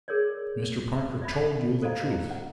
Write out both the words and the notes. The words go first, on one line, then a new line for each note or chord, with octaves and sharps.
Mr. Parker told you the truth.
G#4 A#4 C#5 D5
D5 E5 B5
A4 C5 D5 D#5 F5 A#5
F#5